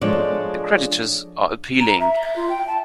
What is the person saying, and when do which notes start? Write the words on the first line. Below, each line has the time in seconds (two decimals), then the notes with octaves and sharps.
The creditors are appealing.
0.01 F3 G#3 D4 A4 C#5 D5
1.80 A#5
2.00 E5
2.23 E5
2.36 F4
2.49 G5
2.67 A5